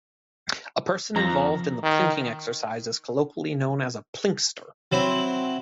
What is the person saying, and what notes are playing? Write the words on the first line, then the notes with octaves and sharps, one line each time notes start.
A person involving in the plinking exercise is colloquially known as a "plinkster".
F2 A#5
D#3
F#3 C4 E4